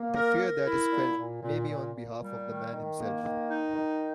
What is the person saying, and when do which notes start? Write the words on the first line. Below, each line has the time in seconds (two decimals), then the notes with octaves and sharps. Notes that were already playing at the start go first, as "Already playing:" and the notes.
The fear that is felt may be on behalf of the man himself.
Already playing: A#3
0.14 A#4
0.39 A#4
0.65 E4
0.91 A#2
1.17 A#2
1.42 A#2
1.68 A#2
1.94 A#2
2.20 G3
2.46 D#3
2.72 D#3
2.97 A#3
3.22 D#3
3.48 D#4
3.75 D#3